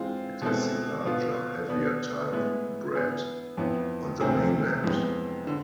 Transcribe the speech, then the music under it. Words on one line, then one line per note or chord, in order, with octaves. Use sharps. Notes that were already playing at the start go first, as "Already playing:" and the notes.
It is the larger, heavier type bred on the mainland.
Already playing: E3 G#3 C4 F4
B2 G#3 C4 E4 A4
B2 B3 F4
B2 B3 D4
A2 G#3 B3 E4
E3 B3 E4 G#4
F2 E3 B3 E4
D2 C3 G#3 C4 G#4
F2 E3 G#3 B3
D3